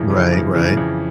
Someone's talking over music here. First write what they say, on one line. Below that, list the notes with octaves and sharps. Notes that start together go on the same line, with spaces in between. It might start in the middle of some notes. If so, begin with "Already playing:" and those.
Right, right.
Already playing: F2 C#3 E3
C#3
E3
F2
C#3 E3
F2